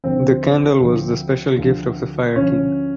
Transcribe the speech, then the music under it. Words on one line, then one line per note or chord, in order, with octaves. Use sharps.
The candle was the special gift of the Fire King.
D2 D3 F3 C4 C5
D2 D3 F3
D2 D3 F3
D2 D3 F3 C#4 C#5